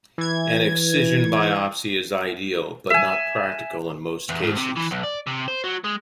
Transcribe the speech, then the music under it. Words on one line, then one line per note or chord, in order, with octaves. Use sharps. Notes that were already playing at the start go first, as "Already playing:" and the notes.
An excision biopsy is ideal, but not practical in most cases.
E3 G#6
E5 G#5
E2
G#2
C3
E3
B1
D5
C3
C5
F#3
G#3